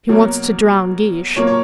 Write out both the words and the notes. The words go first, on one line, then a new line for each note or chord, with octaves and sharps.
"He wants to drown Guiche."
B2 F#3 A#3
A#2 F#3 A#3 C#5
C#5